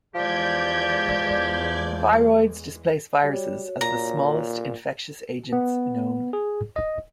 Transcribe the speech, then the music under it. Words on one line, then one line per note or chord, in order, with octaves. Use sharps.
Viroids displace viruses as the smallest infectious agents known.
E2 E3 F3 G#3 G4 D5 G6 G#6
G3 F#4 C#5
A#2 A#5
B3
G#4
D#5